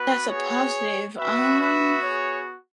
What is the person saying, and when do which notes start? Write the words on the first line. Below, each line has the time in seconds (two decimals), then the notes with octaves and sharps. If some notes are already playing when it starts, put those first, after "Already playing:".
That's a positive. Um
Already playing: B3 F#4 B4
0.29 G#4 C#5
1.16 B3 F#4 B4 E5
1.59 B4 E5
2.03 G#4 C#5